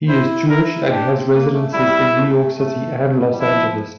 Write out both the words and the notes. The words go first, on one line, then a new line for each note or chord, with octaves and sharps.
He is Jewish and has residences in New York City and Los Angeles.
E4 C5
E4 A#4
C4
D4 G4
C4
A#3
A3
G3 E4
A3
A3
G3
A3
G3
G3
F3 E4